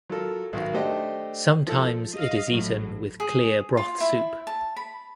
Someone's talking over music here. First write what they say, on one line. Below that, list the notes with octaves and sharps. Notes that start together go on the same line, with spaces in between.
Sometimes it is eaten with clear broth soup.
F#3 F4 A4 A#4
B1 D#3 F#4
A3 D4 G4 C5 D#5 G5
F3 A4
D#5 F5
A1 A2 F#3
G#4
F4
E4
A5
B5